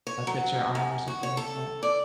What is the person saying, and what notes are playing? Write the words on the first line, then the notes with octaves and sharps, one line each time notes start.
touch your arm or something like that,
C#5
F#3
F#2
F#4
C#5
A4
D5